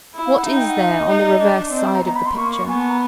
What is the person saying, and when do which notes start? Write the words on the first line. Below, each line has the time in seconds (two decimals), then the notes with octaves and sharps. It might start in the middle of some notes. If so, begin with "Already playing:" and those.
What is there on the reverse side of the picture?
0.15 E4
0.25 F5
0.36 F#5
0.46 D#4 E5
0.57 G5
0.68 F#5
0.78 F5
0.89 E5
0.99 D#5
1.09 D#4
1.42 D4
1.73 C4 D#5
1.83 E5
1.94 A#5
2.05 B3 A#5
2.15 B5
2.25 C6
2.36 A#3 C#6
2.52 C#6
2.68 B3 G#5
2.79 A5
2.89 A#5